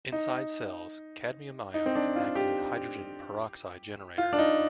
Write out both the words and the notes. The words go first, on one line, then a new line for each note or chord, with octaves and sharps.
Inside cells, cadmium ions act as a hydrogen peroxide generator.
D#4
D#4
C4
D4
F4
G4
F4
D4
D#4